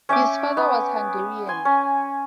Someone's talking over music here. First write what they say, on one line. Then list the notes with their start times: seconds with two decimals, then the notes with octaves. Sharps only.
His father was Hungarian.
0.09 C#4 E5 G5 D6
0.57 B3
1.47 G#5 C6
1.65 C#4